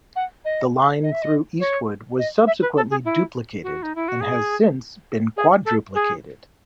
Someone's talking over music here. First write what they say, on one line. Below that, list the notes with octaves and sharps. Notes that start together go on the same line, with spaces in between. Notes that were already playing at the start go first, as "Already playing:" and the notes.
The line through Eastwood was subsequently duplicated and has since been quadruplicated.
F#5
D#5
D#5
E5
D#5
C#5
D#5
E5
B4
A4
G#4
E4
F#4
D#4
E4
F#4
G#4
G#4
A4
G#4